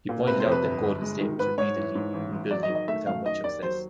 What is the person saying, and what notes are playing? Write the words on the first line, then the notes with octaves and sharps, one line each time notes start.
He pointed out that Golden State was repeatedly rebuilding without much success.
A#2
C3 B4
C5
F2
B4
G1
G1
G#3
D#3
G#2 B4
G#2 C#5
E3
G#2
A1
A1
F#3 D5
D#5
D#3
D#5
A3 E5
F#2 F5
D#3 D#5
D#2 D5
F#3 C5